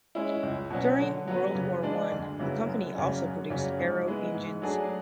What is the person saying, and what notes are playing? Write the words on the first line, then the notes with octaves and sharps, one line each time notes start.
During World War One the company also produced aero engines.
G#3 C#4 E4
C#2
B2 F#3 C#4
D3
F#3 B3
C#3
G#3 D4
D2
C#3 F#3 B3 E4
F#2
C#3 F#3 C#4
F#2
C#3 F#3 C#4
G#2
G#3 B3 E4
G#2
F#3 A3 D4 G#4